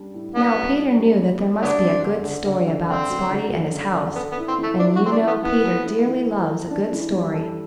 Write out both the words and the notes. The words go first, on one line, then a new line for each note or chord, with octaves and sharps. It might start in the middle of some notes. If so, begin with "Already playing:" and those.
Now Peter knew that there must be a good story about Spotty and his house, and you know Peter dearly loves a good story.
Already playing: G3 D4
A2
B3 D4
G3
D4
G3
G3
G3
D3 F#3 B3 D4
C4
D3
D3
D3
D3
D3 C4
F#3
D3
F#3
D3
D3
B3 A4
B3
E4
C4
E3 A3
D4 E4
F#4
E3
C4
D4
E3
B3
E3 B3
A4
E4
E3
A3
A4
D4
E3
G3
A4